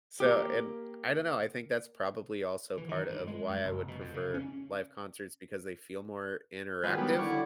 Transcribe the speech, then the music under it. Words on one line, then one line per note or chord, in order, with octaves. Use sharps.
So, and I don't know, I think that's probably also part of why I would prefer live concerts, because they feel more interactive.
A#3 G4
E3
D#3
G2
G#3
F#2
F#1
B2
F2
C#3
C#4
D#3 F#3 G#3 F4 B4
G3 B3
D3 E4 C#5 D5